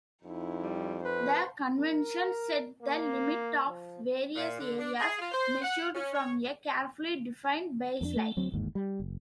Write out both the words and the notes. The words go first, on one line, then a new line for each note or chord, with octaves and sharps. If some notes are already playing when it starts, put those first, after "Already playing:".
The convention set the limit of various areas, measured from a carefully defined baseline.
F2 D#4 E4
G3
B4 C5
A#4
A#3
F3
A#2
D3
D4
G#4
F4
C5
F#5
C#4
C#5
F2 A#3 D4
A3
D2 F#3 C4
G1 D#2 G#2
G3
F#1